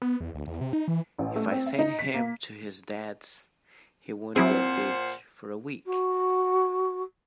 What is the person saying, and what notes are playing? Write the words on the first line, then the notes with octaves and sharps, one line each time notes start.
If I send him to his Dad’s he won’t get bathed for a week.
B3
E2
D2
E2
C3
D#4
E3
A1
A3
C4
E5
D#4
B6
A#3
A#2 F#3 C4 E4 G#4 C5 F#5
F#4